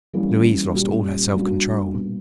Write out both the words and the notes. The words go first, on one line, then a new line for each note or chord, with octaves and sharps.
Louise lost all her self-control.
E3 G3 A#3 C#4
A#2 G3 C#4 G4
G3 A#3 D4 F#4
B2 G3 A#3